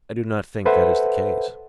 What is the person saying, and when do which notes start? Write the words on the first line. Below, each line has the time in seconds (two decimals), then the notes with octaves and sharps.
"I do not think that is the case."
0.65 A4 B4 C5 E5 F#5